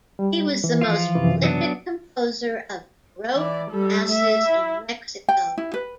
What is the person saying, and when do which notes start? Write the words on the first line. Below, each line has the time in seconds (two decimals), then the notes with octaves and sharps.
He was the most prolific composer of Baroque masses in Mexico.
0.19 G3
0.64 E3
0.81 F3 F4
1.15 F#2 C3 E3
1.43 F#3 B3 D4
3.35 E3 D5
3.71 G3 A4
4.07 A3 E5
4.48 E4
5.29 G5
5.58 E4
5.74 B4